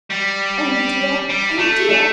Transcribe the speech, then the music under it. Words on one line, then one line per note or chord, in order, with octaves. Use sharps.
Oh dear, oh dear!
G3
G3
A3
A3